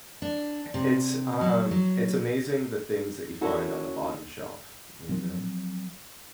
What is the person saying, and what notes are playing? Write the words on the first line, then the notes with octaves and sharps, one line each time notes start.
It's, um it's amazing the things that you find on the bottom shelf, you know,
D4
C3
F#3
F#3
C#4 E4 F#4 A4 A#4 C#5
F3 F#3 C4